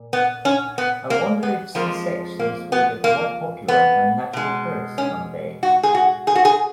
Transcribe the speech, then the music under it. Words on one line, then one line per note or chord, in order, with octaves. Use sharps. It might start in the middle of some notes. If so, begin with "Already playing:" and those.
I wonder if C-sections will get more popular than natural births one day.
Already playing: A#2
B3
C#4
B3
A#3
B3
F2 F3 G#3 A#3
A#3
B3
A#3
B3
B2 G#3
C#4
F#4
G#4
F#4
G#4
F#4
G#4